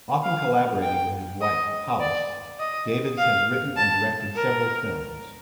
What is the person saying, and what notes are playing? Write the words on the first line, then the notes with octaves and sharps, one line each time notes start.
Often collaborating with his wife, Hollace, Davids has written and directed several films.
F5
G5
D#5
D5
D#5
F5
A5
A#4